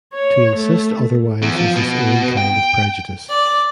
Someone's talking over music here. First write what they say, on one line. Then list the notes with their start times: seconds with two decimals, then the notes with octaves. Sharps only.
To insist otherwise is its own kind of prejudice.
0.14 C#5
0.56 A3
1.42 E2
1.56 F3
1.76 B2
2.37 G5
3.29 D5